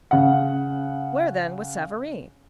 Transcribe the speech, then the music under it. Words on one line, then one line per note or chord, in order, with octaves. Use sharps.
Where, then, was Savareen?
C#3 F#5